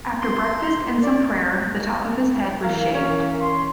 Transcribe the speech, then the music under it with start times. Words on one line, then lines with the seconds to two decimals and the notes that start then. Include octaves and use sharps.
After breakfast and some prayer, the top of his head was shaved.
0.22 C6
1.03 D5
2.63 E3 A#4 F5
2.95 C#4
3.41 C6